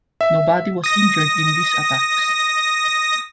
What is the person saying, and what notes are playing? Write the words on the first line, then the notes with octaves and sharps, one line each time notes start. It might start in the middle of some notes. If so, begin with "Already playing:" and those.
Nobody was injured in these attacks.
E5
D#6 A#6